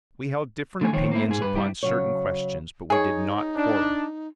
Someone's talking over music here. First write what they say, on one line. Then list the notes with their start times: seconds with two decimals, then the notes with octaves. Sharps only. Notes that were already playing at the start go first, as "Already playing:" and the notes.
"We held different opinions upon certain questions, but we did not quarrel."
0.81 D3 A3 G#5
0.93 D#3 F3 C4 C#5
1.11 A#3 C4 E4
1.28 G#2 G#4
1.41 G2 B4
1.55 G3 E4 G4
1.83 C#3 F#3 C#5
2.90 D#4 G#4 C#5
3.56 D4